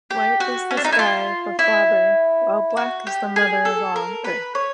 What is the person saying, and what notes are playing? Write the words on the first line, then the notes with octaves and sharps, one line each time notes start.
White is the sky, the Father, while black is the mother of all, Earth.
G4
F#4
C#4
D4
D#4
E4
F4
E4
F#4
G4
G#4
A4
A#4
B4
C#5